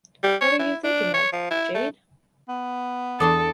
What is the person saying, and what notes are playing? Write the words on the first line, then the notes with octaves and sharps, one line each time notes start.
What are you thinking of, Jade?
G3
C#5
E4
D4
C#5
F3
E4
A3
B3
E2 D4 A4 C6 D6 D#6